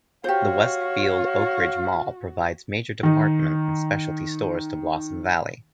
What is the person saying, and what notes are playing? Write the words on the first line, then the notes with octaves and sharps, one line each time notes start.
The Westfield Oakridge Mall provides major department and specialty stores to Blossom Valley.
F#4 G4 C5 C#5 F5
D#3 D#4